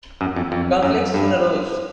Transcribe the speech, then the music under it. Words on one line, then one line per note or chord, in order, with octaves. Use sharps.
Conflicts soon arose.
F#2
F2
F2
F#2
G2